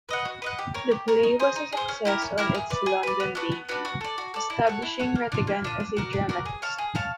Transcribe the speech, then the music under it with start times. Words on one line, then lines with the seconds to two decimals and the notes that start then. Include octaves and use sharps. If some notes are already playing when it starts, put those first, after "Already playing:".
The play was a success on its London debut, establishing Rattigan as a dramatist.
0.09 B4 D#5 F#5
0.25 F#4
0.42 B4 D#5 F#5
0.59 G4
0.74 A#4 C#5
0.91 G4
1.08 A#4 C#5
1.23 D#4
1.40 G#4 C5
1.56 D#4
1.72 G#4 C5
1.88 C#4
2.05 E4 G4 A#4
2.22 C#4
2.38 E4 G4 A#4
2.55 G#4
2.70 B4 D5
2.86 G#4
3.03 B4 D5
3.20 B3
3.35 D4 F#4 B4
3.52 B3
3.69 D4 F#4 B4
3.85 F#4
4.01 A4 D5
4.18 F#4
4.34 A4 D5
4.50 E4
4.67 A4 C#5 F#5
4.82 E4
4.99 A4 C#5 F#5
5.15 A#3
5.32 D4 F4
5.47 A#3
5.64 D4 F4
5.80 D4
5.97 F#4 A#4 D5
6.13 D4
6.29 F#4 A#4 D5
6.46 G#4
6.62 C#5 F5 A5
6.78 G#4
6.95 C#5 F5 A5